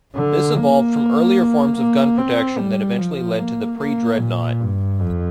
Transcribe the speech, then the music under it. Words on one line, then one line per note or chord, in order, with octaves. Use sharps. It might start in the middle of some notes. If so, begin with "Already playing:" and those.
This evolved from earlier forms of gun protection that eventually led to the pre-dreadnought.
D3
A#3
A#3
C4
G3
F3
A#3
A#3
A#2
G2
F2